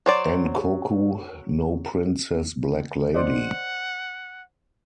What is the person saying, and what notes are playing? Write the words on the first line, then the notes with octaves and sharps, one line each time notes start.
Ankoku no Princess Black Lady.
F#3 C5 D5
C5 D5 D#5 F#5